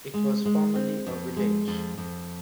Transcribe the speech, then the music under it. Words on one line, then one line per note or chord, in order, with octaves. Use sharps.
It was formerly a village.
G#3
G#3
C4
F2
G#3
F2
F2